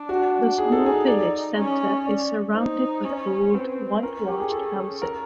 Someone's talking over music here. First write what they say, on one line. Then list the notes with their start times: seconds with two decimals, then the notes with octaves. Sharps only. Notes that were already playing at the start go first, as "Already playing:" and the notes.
The small village center is surrounded by old whitewashed houses.
Already playing: D4
0.09 F#4
0.58 D#4 G#4
0.72 A4
0.86 G#4
1.07 D5
1.57 C#4
2.06 D5
2.55 D#4 C5
3.05 C#4
3.54 C4 B4
4.03 C#4 A#4
4.28 G4
4.40 G#4
4.52 A4
5.02 A#4